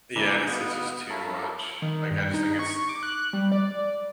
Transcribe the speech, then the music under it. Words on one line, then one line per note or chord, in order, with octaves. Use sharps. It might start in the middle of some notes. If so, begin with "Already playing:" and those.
Yeah and it's just just too much, like, I just think it's
D3 G#3 A#3 D4 E4 B4
B3 D#4 F#4 F5 D#6
F4 A4 A#4 C#5 E5 B5
D#3
G2
D#4
C#6
D6
F#6
G3
D5